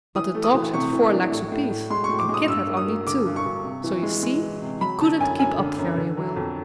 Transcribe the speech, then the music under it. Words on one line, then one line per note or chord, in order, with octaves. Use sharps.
But the dogs had four legs apiece, and Kit had only two; so you see he couldn't keep up very well.
E3 D#6
A3
D#6
E3
C3 C#6
E3
D4
A2
A2
A2
G#3 C6
A2 C#6
D6
G#3
D#6
G2 E6
A#3
D#6
A#3
D3 D6
G2
C#6
G2
C3
E3
G#3
G#3
E3
C3
F#3 B5
D3 A5
F#2 G#5
F#2 G#5
D3
F#2
D3
F#3
F2